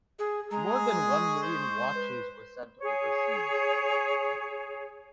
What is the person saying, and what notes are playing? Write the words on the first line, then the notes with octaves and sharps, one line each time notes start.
More than one million watches were sent overseas.
G#4
G#3 G#4 A#5
C#6
C5
B4
G#4 C#5